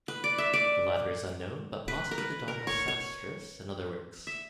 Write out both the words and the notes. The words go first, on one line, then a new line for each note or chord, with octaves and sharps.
The latter is unknown but possibly the Dharmasastras and other works.
B4
D5
E5
D5
B4
A#4
B4
A#4
C#5
C#5
E5